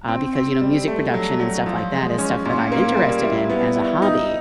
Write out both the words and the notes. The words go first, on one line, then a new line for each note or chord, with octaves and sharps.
uh, because, you know, music production and stuff like that is stuff that I'm interested in as a hobby,
C4
C4
G3
A3
F#3
F#3
F3
G#3
C#4
A#2
A#3
G3
E4
B3
E4
D#4